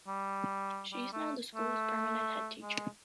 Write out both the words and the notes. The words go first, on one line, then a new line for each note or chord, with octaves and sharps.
She is now the school's permanent headteacher.
G3
G3
A3
A3
G#3